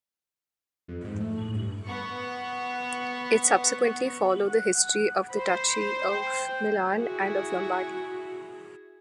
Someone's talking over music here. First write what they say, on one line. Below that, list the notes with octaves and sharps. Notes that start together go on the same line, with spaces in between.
It subsequently followed the history of the Duchy of Milan and of Lombardy.
F2
G#2
A3
A2
G2
B3 F#5 C#6
F#5
C5 B5
G5
E4 F#4 G#4